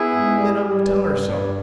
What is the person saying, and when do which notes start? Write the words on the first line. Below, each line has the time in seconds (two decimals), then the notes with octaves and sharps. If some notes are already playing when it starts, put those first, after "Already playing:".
"Then I will tell her so."
Already playing: B3 E4 G#4
0.15 G#2
0.37 G3
0.61 G3
0.84 G2
1.06 G2
1.29 G2